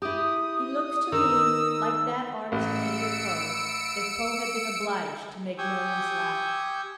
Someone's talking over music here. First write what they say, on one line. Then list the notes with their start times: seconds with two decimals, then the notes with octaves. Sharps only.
He looks to me like that artist Edgar Poe, if Poe had been obliged to make millions laugh.
0.02 E4 G4 D#6
1.12 D#3 A#4 E6
2.52 A1 E6 C#7 D7
5.58 G4 G#5 C#6 D#6 E6 G6